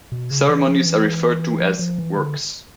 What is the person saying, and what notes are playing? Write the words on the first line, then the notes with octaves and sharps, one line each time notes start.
Ceremonies are referred to as "works".
B2
C#3
E3
F3
E3
F3
F3
E3
D3